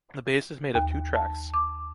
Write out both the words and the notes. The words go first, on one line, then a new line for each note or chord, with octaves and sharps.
The base is made of two tracks.
D#2
A5
D6